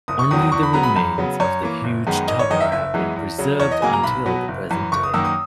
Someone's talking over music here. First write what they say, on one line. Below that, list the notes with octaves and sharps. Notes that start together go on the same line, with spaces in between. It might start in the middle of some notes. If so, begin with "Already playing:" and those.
Only the remains of the huge tower have been preserved until the present day.
F#1 D#6
C#6
E2 D#3 F#3 B3 D#6
D#6
E2 C#6
B5
C#3 F#3 B3 A#5
B5
F#2
C#3 F#3 B3
F#2 C#5
E3 A#3
F#1
F#2 D#3 G#3 B3
G#1 D#5
C#5
F#2 D#3 D#5
E5
F#1 E5
F#2 E3 G#3 B3
E2
C#3 F#3
E2 C#5
D#5
C#3 F#3 A#3 G#5
A#5
B1 B5
B2 F#3 B3
F#1
F#2 E3
F#1 C#6
D#6
F#2 D#3 A#3 E6
D#6